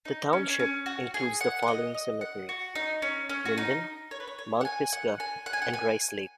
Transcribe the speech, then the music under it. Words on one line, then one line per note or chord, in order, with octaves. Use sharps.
The township includes the following cemeteries: Linden, Mount Pisgah and Rice Lake.
D#4
C#4
C#4
C#4
F#4
G#4
F#5
F#5
D#5
D#5
F#5
F#4
D#4
C#4
C#4
F#4
D#4
C#5
B4
C#5
C#5
F#5
G#5
F#5
G#5
F#5
G#5
F#5
G#5